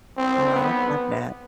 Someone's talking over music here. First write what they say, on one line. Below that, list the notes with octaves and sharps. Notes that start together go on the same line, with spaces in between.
Alright, I've got that.
C4
B3